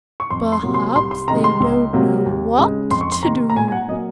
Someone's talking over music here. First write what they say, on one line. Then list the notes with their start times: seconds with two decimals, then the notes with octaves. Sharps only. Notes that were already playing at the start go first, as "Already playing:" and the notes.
"Perhaps they don't know what to do."
0.20 C#6
0.30 F2 C6
0.52 C6
0.63 C3 F#3 A#3
0.74 C6
0.95 C2 C6
1.11 C6
1.28 C3 D#3 G#3 A#5
1.44 C6
1.60 C#2
1.93 C3 F#3 A#3
2.26 D#2
2.58 C#3 G#3
2.90 F2 C6
3.01 C#6
3.12 C6
3.23 C3 D#3 A#3 A#5
3.50 A#5
3.55 A#2 G#5
3.68 G#5
3.72 F#5
3.88 F#3 A#3 D#5